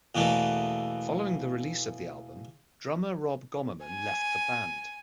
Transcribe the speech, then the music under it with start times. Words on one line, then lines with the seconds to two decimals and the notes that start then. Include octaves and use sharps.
Following the release of the album, drummer Rob Gommerman left the band.
0.15 E2 B2 E3 A3 A#3
3.86 G#5